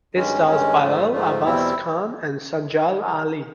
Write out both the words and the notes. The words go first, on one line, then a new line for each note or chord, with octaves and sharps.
It stars Bilal Abbas Khan and Sajal Aly.
G2 D#3 G#3 C#4
G2 D#3 G#3 C#4
G#2 F3 A3
G#2 F3 A3
E2 B2 G3 C4 E4